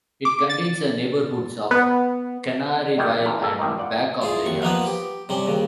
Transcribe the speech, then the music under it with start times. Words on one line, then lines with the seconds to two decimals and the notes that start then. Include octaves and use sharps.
It contains the neighborhoods of Canaryville and Back of the Yards.
0.25 D6
0.50 A6
1.71 B3
2.98 B1 D#3 E4 C#5 D5 G5
3.25 G2 E3 F4 A#4
3.41 C#2 A#3 A4
3.59 A1 D#2 G3 A3 A#3 D#4
3.78 F4 D5 F#5
4.22 E4 F4 G#4
4.46 D#2 C#6
4.62 F3 A#3 B3 B4
4.86 G4
5.29 C3 G3 C#4
5.46 D#2 C#3